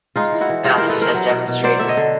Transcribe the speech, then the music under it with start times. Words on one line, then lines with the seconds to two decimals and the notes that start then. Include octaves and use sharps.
Matthews has demonstrated.
0.16 G#3 D#4 F4
0.32 E3
0.41 E4 F#4
0.49 E3
0.64 G#3 F4 G4
0.77 E3 A#4 C5
0.89 A4 B4
0.98 E3 A#4 C5
1.14 F#3
1.31 B2
1.47 B2
1.63 F#3 C5 D5
1.79 D3 E5
1.88 C#5 D#5
1.97 D3